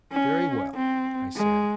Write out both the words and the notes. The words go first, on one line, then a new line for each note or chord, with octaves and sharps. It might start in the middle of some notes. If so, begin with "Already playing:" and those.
"Very well," I said.
C#4
C4
G#3